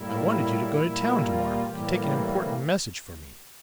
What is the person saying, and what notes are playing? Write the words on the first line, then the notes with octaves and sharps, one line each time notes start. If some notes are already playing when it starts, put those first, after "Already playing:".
I wanted you to go to town to-morrow to take an important message for me.
Already playing: A2 G3 A#3 E4
A#2 G3 A#3
F4
A2 E3 G3 A#3 G4